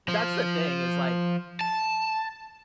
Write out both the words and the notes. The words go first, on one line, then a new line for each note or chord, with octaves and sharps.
That's the thing is, like,
F3
A5